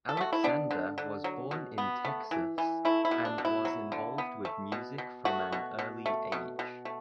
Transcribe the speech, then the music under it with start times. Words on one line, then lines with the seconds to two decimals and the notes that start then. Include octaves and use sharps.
Alexander was born in Texas and was involved with music from an early age.
0.09 A4
0.17 A3 F#4
0.33 E4
0.44 B3 D4
0.71 D3
0.98 D3
1.24 F#3
1.51 B2
1.78 B3
2.05 A3
2.31 E3
2.58 E3
2.85 A3 E4
3.05 E4
3.11 B2
3.25 D4
3.38 B2
3.45 E4
3.65 F#3
3.92 D3
4.18 B3
4.45 A3
4.72 B2
4.98 B2
5.25 A3 F#4
5.52 B2
5.79 B2
6.06 A3
6.32 B2
6.59 B2
6.85 A3